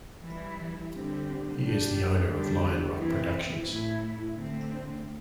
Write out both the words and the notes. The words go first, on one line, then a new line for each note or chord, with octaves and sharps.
He is the owner of Lion Rock Productions.
E3 G3 E4
D3 G3 C4 G4
G3 D4 G4
D3 G3 D4 G4
E3 C4 E4
A2 A3 E4
D3 A3 C4